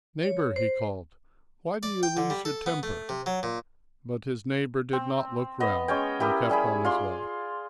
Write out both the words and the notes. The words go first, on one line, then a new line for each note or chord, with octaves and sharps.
"Neighbour," he called, "why do you lose your temper?" But his neighbour did not look round, and kept on his way.
C#5
C5
D5
G5
D3
G3
A4
B3
A3
C3
F#3
A#2
C4
B3 D#5
G#3 C#4 C#5 G5
E4 G4 A#4 D#6
G3 G#4 E5 B5
F4 D5 C6